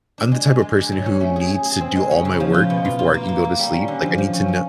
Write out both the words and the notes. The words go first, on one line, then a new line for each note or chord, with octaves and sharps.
I'm the type of person who needs to do all my work before I can go to sleep, like, I need to kno
D4
G#3
G#3
G#3
D3
F#3
C#4
A3
G#4
G#4
G#4
C4
G#3
C#3
C#3
F3
F4
B2
F4
F4
A#3
A#3
A#3
G3
C#4
D3
F3
F3
C#4
C#4